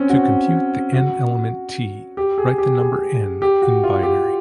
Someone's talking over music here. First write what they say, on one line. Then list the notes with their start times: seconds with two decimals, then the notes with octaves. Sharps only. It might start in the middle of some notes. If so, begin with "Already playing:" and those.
To compute the "n" element "t", write the number "n" in binary.
Already playing: C4 C#4
0.10 F#4
0.93 F#4
2.17 G4
2.38 G#4
2.58 G4
2.79 G#4
3.42 G4
3.62 F#4
3.84 F4
4.03 G4